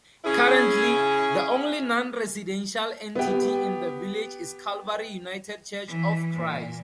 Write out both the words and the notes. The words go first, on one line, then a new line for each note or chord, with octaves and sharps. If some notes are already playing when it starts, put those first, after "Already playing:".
Currently, the only non-residential entity in the village is Calvary United Church of Christ.
C#4 E4 G#4
B3 G4
E3
A#2